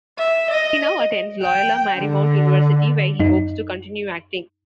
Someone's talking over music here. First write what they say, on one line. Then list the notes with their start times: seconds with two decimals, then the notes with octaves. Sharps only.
He now attends Loyola Marymount University, where he hopes to continue acting.
0.18 E5
0.50 D#5
1.42 G5
1.97 D3
3.20 F#2 D#4